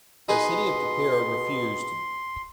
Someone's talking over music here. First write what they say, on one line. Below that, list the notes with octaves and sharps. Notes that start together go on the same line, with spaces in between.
The city of De Pere refused.
B2 D#4 G#4 B4 C6